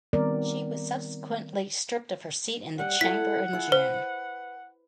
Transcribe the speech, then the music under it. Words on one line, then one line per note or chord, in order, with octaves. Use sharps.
She was subsequently stripped of her seat in the Chamber in June.
D#3 G3 B3 C4 A#4 D5
G3 F#5
E4 A4 B6
E4 F4 G#4
B4 C5